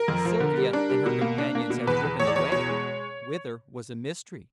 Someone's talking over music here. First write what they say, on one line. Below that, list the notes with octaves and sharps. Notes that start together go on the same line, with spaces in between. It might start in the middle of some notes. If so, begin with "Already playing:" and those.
Sylvia and her companions had driven away--whither was a mystery.
Already playing: A#4
F2
F3
D3
G3
D4
G3
B2
A#3
D4
A#3
B2
E2 B4
E2
E2 C#5
D5
E2 C#5
B2 C#5
G#3